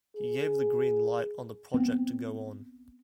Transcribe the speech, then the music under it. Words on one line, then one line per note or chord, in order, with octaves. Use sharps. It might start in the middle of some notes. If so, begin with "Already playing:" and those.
He gave the green light on the project to go on.
G#4
B3 C4